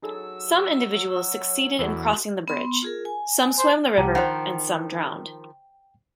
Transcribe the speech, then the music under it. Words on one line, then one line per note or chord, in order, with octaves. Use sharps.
Some individuals succeeded in crossing the bridge; some swam the river and some drowned.
F#3 D#4 G#4 A4 E6
E2 F#4 A4 E6
B3 C6
F4 G#4 A#4
G#5
C5
C2 G4 F#5 A5 A#5
D#3 F3 C5 F#5 G5